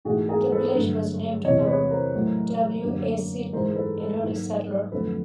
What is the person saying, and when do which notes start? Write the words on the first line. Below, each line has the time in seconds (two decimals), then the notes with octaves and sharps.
The village was named for W. A. Seaton, an early settler.
0.05 G#2 E3 A3 F#4 G#4
0.29 G#4 A#4
0.52 A4 B4
0.75 G2 D3 F#3 A3
1.44 E2 C3 E3 C#5 D#5
1.67 B4 C#5
1.91 A#4 C5
2.14 A2 F#3 A3
2.83 F#2 D3 F#3 A#3
3.53 G#2 E3 G#3 A#4 C5
3.76 A4 B4
3.99 A4 B4
4.23 G#2 D#3 F#3 A#3
4.92 F2 D3 F#3 A3 A4 B4